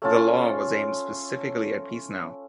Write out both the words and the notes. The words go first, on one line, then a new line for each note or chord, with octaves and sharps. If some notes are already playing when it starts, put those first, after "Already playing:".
The law was aimed specifically at Peace Now.
A3 C#4 F4 A5